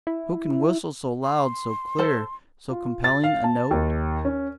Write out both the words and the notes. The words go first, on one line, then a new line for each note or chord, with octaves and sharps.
Who can whistle so loud, so clear, so compelling a note?
E4
C6
A4 C5 A5
F4
A6
F5
A5
D#2
C#4